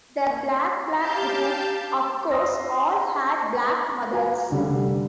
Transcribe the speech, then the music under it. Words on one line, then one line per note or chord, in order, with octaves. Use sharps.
The Black-Black group, of course, all had Black mothers.
G4 F5 A5 G6
C6 D#6 E6 A#6
F#4 B4 F5 G#5 A#5
F1 D3 G3